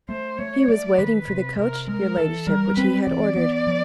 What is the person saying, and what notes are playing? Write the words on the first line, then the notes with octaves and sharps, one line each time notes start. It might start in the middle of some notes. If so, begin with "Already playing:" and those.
"He was waiting for the coach, your ladyship, which he had ordered."
A3 C5
A3 C#5
A3 D5
D#3 B4
C3
C3 A#4
G#3 A#4
E3 A4
G3 A#4
C4 B4
E3 D5
B3
F3